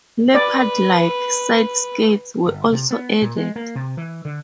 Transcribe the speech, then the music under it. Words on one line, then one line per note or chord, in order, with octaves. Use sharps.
Leopard-like side-skirts were also added.
B4 D5
G1
C3
B3
A#2
G#3
A#3
C3
E3
D3